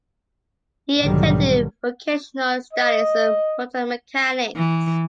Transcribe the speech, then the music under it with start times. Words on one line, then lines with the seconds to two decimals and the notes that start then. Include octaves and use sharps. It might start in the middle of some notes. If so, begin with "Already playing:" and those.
He attended vocational studies in motor mechanics.
1.00 B1 G#2 D3 D#3 F#3 G3
2.74 D#5
4.56 E3